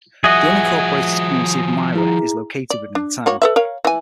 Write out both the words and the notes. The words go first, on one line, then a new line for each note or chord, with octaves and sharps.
The unincorporated community of Myra is located within the town.
F3 F#4 G#4 D#5 E5 F#6
E4 G#4 A#5
D5
D4
A#3 F#4 C#5
A4 B4 E5
A#4 C#5 F5
E3 G#5